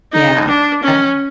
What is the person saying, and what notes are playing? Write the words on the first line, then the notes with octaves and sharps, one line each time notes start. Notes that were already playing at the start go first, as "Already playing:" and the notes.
Yeah. I
D#4
D4
C#4